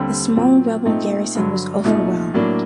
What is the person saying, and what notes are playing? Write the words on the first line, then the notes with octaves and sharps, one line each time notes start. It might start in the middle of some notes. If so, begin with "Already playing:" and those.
The small rebel garrison was overwhelmed.
Already playing: D#2 D3 G3 C4
A#2 F#3 C4
A#2 A3 C4 D#4
G2 D3 F#3
C2 A#2 A3 D#4
A2 F#3 A#3 D4